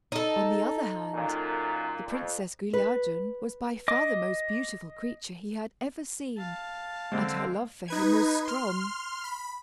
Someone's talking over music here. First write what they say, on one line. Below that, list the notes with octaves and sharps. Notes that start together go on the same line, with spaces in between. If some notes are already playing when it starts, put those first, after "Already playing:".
On the other hand, the Princess Guilliadun was by far the most beautiful creature he had ever seen, and her love for him was strong.
D#4 A4
F#2 A#2
F2
B4
D#5 D6
F5 A5
D3 G#3 C4 C5
D#4 B4 G#6
C6 F6
B5